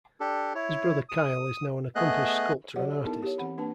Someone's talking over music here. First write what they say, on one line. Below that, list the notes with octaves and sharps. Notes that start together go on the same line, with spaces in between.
His brother Kyle is now an accomplished sculptor and artist.
D4 G4 A4
E4 C#5
D#6
A3 B3 G#4 D#5 F#6
F#3 F#4 G4 C#5 D5 F#5
A4 E5
B3 D#4 E4 G#4 A#4 A5
G4 C#5
E3 C4 F#5 B5
A#3 D4 B4 A5